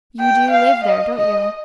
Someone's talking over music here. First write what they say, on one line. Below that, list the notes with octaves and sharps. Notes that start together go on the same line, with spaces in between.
You do live there, don't you?
G5
F5
D#5
D#5